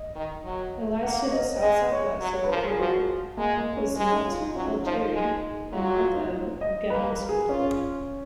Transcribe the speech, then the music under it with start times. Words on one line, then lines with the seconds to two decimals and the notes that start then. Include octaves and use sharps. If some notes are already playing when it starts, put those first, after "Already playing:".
It lies to the south-southwest of the crater Esnault-Pelterie, and north of Gadomski.
Already playing: D#5
0.15 D#3
0.45 F#3
1.03 A#3 F#5
1.25 C#5
1.32 D#5
1.61 G#3 D#5
1.92 C#5
2.21 F#3
2.33 C#5
2.44 B4
2.50 F3
2.56 A#4
2.67 G#4
2.79 F3 F#4
3.37 G#3 A#3
3.57 A#3
3.77 C#4
3.96 G#3 C#4
4.12 D#4
4.27 F4
4.41 D#4
4.55 F#3 C#4
4.85 F3 D#4
5.14 G#3
5.72 F#3 F4
5.87 F#4
6.02 F4
6.16 D#4
6.61 D#5
6.90 A#3 B4
7.10 A#4
7.29 G#4
7.49 C#4 F4